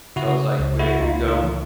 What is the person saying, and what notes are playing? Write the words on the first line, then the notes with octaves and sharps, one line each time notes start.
So, it's like, we if you go
C#3 E4 F#4
C#2
E4 F#4
C#2 D#4 F4
D#4 F4
E3